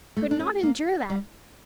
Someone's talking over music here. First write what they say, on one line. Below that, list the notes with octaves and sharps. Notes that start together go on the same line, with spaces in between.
I could not endure that.
A3
D4
C#4
A#3
G3